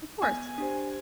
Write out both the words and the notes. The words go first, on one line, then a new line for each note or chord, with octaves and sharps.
Of course.
B3 G#5
D4 G4 C5